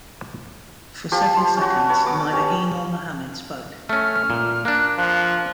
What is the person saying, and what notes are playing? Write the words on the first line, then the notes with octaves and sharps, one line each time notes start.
For several seconds neither he nor Muhammad spoke.
F3 F4 G4 C#6
A5 C6
C#4 F#4
B4 C#5 A5
B3 D6
C#4 G4 C#5
A3 C#4 F6
A#2
A#3 D4 F#6
F3 F#6